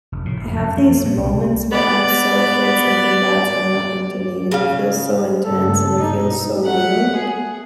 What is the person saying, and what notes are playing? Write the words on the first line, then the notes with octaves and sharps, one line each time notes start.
I have these moments where I'm so afraid something bad's gonna happen to me and it feels so intense and it feels so real
F1
A2
F1
F#2
F3
A#3
A#2
C2
B3 D5
C#3 F5
G2 C#3 A4
B2 D#4
A3 F#5
G#4